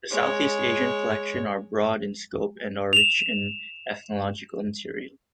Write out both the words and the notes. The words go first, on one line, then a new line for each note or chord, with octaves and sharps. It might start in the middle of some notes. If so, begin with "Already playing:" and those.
The Southeast Asian collections are broad in scope and are rich in ethnological material.
G#3 C#5
E7 F7